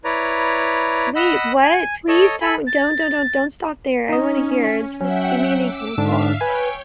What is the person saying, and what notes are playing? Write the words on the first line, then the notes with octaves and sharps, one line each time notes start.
Wait, what? Please tell me, don't don't don't don't stop there, I wanna hear. Just give me an example.
E4 B4 C#5 D5 A#5
D#5 F#5 B5 E6
G#5
A4 C#5 D#5
A4 G#5 B5
A6
C#4 D#4 D#5
F#3 C#4 E5 F#5 G5
D6 E6
G#2 D3 D4 E5 F5
B4 C#5 G5 G#5